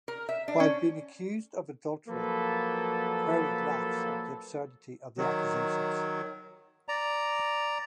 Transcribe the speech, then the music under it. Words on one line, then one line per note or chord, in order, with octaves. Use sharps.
While being accused of adultery, Querry laughs at the absurdity of the accusations.
A#4
E5
D4
C#4
F3 F#3 A#3 A4 B4
D#3 F#3
D5 A#5